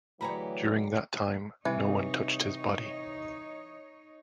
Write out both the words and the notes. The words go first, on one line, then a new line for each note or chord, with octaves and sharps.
During that time, no one touched his body.
D2 E3 F#3 G4 G#4 C#5 A#5 B5
C3 E3 G3 D#4 B4 C#5 D#5 E5